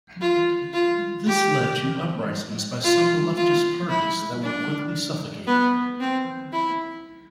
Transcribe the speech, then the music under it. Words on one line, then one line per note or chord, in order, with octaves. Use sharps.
This led to uprisings by some leftist parties that were quickly suffocated.
F4
F4
G4
F4
F4
E4
D4
B3
C4
E4